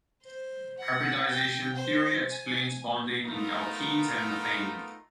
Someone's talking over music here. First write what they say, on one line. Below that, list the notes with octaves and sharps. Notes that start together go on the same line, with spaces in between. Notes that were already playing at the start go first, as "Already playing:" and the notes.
Hybridisation theory explains bonding in alkenes and methane.
C5
F#5
G5
C5
G#5
A3 B3 D#4 F4 A#4